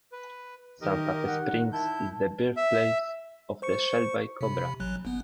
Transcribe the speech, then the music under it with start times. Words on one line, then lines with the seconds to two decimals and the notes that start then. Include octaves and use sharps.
Santa Fe Springs is the birthplace of the Shelby Cobra.
0.12 B4
0.82 D#3 G4 A#4 D#5
1.26 F#5
1.72 E4 A5 G6
2.57 E5
3.62 C5 C#6 C#7
4.41 C3 B5
4.80 A1 F#3 F#6
5.05 G1 B3